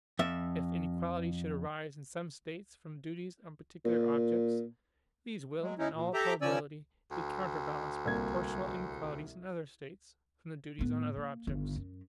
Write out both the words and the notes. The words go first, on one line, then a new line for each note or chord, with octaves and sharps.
If inequalities should arise in some States from duties on particular objects, these will, in all probability, be counterbalanced by proportional inequalities in other States, from the duties on other objects.
F2 E5
A#2
F#3 G#3
C#4 D#4 E4
A#2
G4 A4 E5 G5 A#5 D6
C#3 F3 C#4 D5 G#5 E6
D2
C2 A#3 G#6
A2 B3
A#3
G1 D#3
F#2